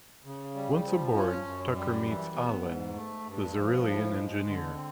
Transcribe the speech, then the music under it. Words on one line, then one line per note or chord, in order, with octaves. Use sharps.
Once aboard, Tucker meets Ah'len, the Xyrillian engineer.
C#3
G3
F3
C#4
F#2
G3
E3
B3
G#2
A3
G2
F3
A2
G#3
D3
C4